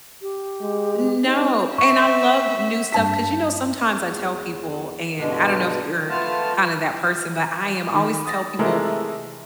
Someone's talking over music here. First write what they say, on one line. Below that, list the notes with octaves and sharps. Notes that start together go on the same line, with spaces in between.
no, and I love new stuff 'cause, you know, sometimes I tell people, and I don't know if you're kinda that person, but I am always tell people
G4
G#3
C4 D#4
E5 C#6
G2 A5 B6
E2
G2 B2 D3 G#3
A3 B3 F4 A5 F6
D#3
D#6 A6 A#6
C3 E3 G#3 A3 E4 A#4